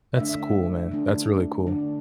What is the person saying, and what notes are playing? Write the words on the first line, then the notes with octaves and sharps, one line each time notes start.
That's cool, man. That's really cool.
D3 A3 D4 E5
D3 A3 D4
D3 A3 D4